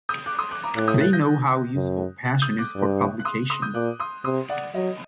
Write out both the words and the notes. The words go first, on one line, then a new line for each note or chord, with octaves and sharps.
They know how useful passion is for publication.
D#6 G6
D6 F#6
C6 D#6
D6 F#6
A#5 D6
A2 D6 F#6
D#6 G6
F#6 A6
G6 A#6
F#2
F#6 A6
D#6 G6
D6 F#6
G2
F#6
C6 D#6
C6 D#6
D#6 G6
A#2 D6 F#6
C6 D#6
C3 C6 D#6
D5 F#5
F#3 D#5